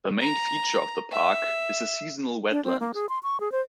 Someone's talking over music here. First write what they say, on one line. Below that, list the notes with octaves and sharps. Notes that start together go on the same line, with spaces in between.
The main feature of the park is a seasonal wetland.
A#5
E5
D4
C4
A#3
G#4
C6
C#6
G#4
C5